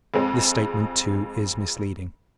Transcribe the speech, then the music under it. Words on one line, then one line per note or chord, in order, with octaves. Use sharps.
This statement, too, is misleading.
F2 G#3 C4